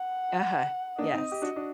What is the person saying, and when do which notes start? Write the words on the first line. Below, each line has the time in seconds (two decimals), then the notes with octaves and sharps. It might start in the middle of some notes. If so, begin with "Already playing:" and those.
Uh-huh, yes.
Already playing: F#5
0.98 A#3 D4 D#5
1.13 C4 D#4
1.32 G4
1.42 D4 F#4
1.56 D4 F#4